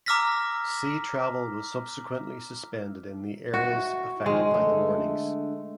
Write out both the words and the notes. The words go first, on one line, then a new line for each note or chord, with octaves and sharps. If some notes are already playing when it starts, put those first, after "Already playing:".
Sea travel was subsequently suspended in the areas affected by the warnings.
A#5 D6 E6 F6 A#6 B6
E4 F#4
D#3 F3 G#3
D3 A3